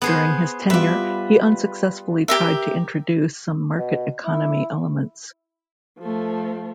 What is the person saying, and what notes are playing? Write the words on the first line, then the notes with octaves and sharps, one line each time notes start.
During his tenure, he unsuccessfully tried to introduce some market economy elements.
B3 G#4 C5
G3 B3 F4 B4 E5 D6
G4 A#4 E5
B2
E4
F3 A3